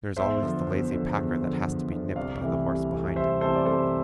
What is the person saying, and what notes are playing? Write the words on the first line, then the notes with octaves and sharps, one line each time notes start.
There is always the lazy packer that has to be nipped by the horse behind him.
E2 C5 E5
D3 F3
E2
D3 F3
E2
D3 F3
E2
D3 F3
C2 D5 F5
C3 E3 A3
C2
C3 E3 A3
C2 C5 E5
C3 E3 A3 A4 C5
D5
C2 A4 C5